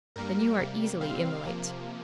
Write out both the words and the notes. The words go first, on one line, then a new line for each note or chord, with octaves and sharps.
Then you are easily immolate!'
G2 G3 A#3 A#4
C3 G3 A#3
C3 G3 C4 F5
C3 F3 A#3